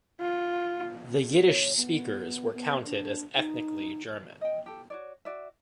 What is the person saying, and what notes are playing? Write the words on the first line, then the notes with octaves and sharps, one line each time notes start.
The Yiddish speakers were counted as ethnically German.
F4
C#5
B3
B3
D4
D#4
D#5 G5
G4 A4
F#4 C#5 D5
F#4 D5 E5